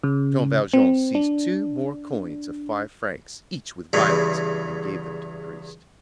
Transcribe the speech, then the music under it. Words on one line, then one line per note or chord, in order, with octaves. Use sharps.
Jean Valjean seized two more coins of five francs each with violence, and gave them to the priest.
C#3
C4
D4
E2 G2 C#3 E3